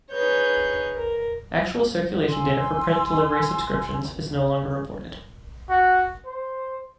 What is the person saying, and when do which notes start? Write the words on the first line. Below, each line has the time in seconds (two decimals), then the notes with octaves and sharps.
Actual circulation data for print delivery subscriptions is no longer reported.
0.11 D#4 G#4 B4 C#5 G6
0.94 A#4
2.29 G#5 C6 E6
5.69 F#4
6.26 C5